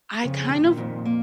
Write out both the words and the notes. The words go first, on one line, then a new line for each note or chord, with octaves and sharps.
I kind of
F2 C#3
D#3
A#2
F2
A#3